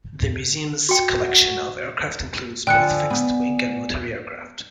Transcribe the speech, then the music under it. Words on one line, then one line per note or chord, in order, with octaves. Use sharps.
The Museum's collection of aircraft includes both fixed wing and rotary aircraft.
F#4 G5
F#4 E5
D3 F3 D5 G5 G#5 F#6 C#7
B3